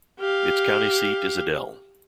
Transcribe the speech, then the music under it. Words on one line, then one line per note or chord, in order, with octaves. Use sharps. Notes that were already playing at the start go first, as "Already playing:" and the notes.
Its county seat is Adel.
G4 F5